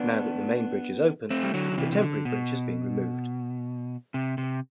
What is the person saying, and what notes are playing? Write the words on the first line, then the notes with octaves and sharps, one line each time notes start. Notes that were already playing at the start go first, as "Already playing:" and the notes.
Now that the main bridge is open, the temporary bridge has been removed.
Already playing: B3 D4
A3 C4
G3
D3 F#3
D3
C3 E3
C3
D3
B2
C3
C3